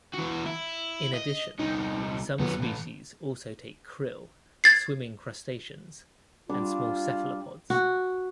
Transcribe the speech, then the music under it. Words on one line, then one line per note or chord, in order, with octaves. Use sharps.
In addition, some species also take krill, swimming crustaceans, and small cephalopods.
E3 F#4
E4
D#5
C2 D#4
F#2 B3
A2 E3
G#6 A6 C7
G3 D4 F4 D6
F#4